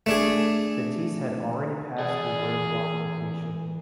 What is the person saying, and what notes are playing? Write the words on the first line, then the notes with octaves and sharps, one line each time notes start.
Batisse had already passed a roadblock location.
A3 D4 G#4
E3 G#4 D5